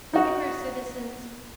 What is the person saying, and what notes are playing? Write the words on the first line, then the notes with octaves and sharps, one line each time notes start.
Look at her, citizens!
D#4 F#4 F#5